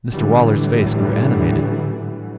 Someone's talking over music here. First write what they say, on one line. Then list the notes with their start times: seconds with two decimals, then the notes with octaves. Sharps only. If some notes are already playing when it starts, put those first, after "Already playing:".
Mr Waller's face grew animated.
0.12 A2 D3 E3 F#3 G3